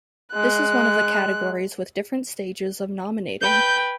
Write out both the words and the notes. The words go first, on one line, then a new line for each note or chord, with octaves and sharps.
This is one of the categories with different stages of nominating.
G#3 F#6
B4 G5 G6